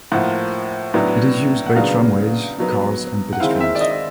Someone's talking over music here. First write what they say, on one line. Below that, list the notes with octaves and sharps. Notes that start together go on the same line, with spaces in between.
It is used by tramways, cars and pedestrians.
A2 F3 A#3 F#5
A2 F#3 B3 D4
F#5
C#3 F#3 B3 D4 F5
B2 F#3 B3
F#5
D#3 G#3 C4 E4 F5
E5
D5
D#5
D#5